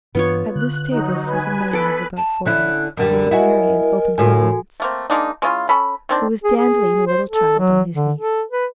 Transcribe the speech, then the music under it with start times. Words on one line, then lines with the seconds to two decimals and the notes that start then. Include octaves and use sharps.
At this table sat a man of about forty, with a merry and open countenance, who was dandling a little child on his knees.
0.15 G2 E3 B3 D4 F4 C#5
0.56 D3 F#6
0.91 F#3 D#4
1.26 B4 G#5
1.71 B3 A4 B4 B5 D6
2.17 A5
2.46 D3 C#4 E4 F#6
2.97 F#2 D3 G3 A#4
3.31 E4 F#4 D#5 G#5
4.18 D2 A2 F4 F#4 A4 G#5
4.80 A3 A#3 C4
5.10 G#3 A#3 D4 D#4
5.42 G#3 C#4 E4 F4
5.69 C#4 A4 B5
6.09 D#3 C4 D4
6.44 G#4
6.57 G#4
7.07 C5
7.29 A4
7.59 F#3
7.93 D3
8.18 A4
8.51 B4